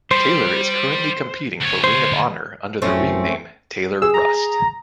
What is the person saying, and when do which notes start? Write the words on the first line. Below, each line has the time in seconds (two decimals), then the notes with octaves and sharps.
Taylor is currently competing for Ring of Honor under the ring name Taylor Rust.
0.11 G3 C5
1.61 D2 C#5
1.84 C5
2.82 A1 F#2 A3 C4 C#4
4.02 G#4 E6
4.14 A#5